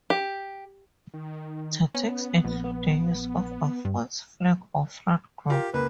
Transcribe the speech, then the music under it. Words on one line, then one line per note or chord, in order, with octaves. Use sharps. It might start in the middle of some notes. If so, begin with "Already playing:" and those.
Tactics include the use of a false flag or front group.
G4
D#3
B3 C#4
A#1
G2
F4 G4 A#4
C#2 A#3 B4